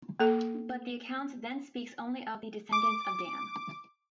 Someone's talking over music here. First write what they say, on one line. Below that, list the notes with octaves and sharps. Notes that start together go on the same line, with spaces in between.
But the account then speaks only of the descendants of Dan.
A#3 A4
D6